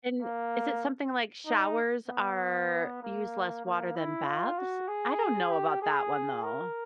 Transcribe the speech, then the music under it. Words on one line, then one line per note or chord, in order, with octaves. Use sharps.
and is it something like showers are use less water than baths? I don't know about that one though.
A#3
D#4
B3
A#3
A#3
E4
F4
F#4
G#4
G4
G#4
A#4